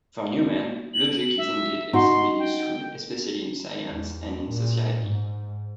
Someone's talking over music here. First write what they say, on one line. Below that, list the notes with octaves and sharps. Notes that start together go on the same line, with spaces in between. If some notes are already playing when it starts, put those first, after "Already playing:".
For Newman, logic is indeed extremely useful especially in science and in society.
F#7
E5
D#4 F#4 C6
G5
E2
A#2
G#2